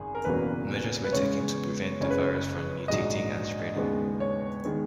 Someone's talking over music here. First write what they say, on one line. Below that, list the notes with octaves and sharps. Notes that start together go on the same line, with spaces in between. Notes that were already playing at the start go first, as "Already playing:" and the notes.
Measures were taken to prevent the virus from mutating and spreading.
Already playing: G#1 F#2 C#3 G#4
A#4
E1 E2 C#3 F#3 A#3 B4
B4
E2 C#3 G#3 B3 C#5
F#1 F#2 C#3 C#5
B4
C#5
A#1 G#2 F#3 D#5
D#2 C#3 G#3 B3
C#5
D#3 G#3 B3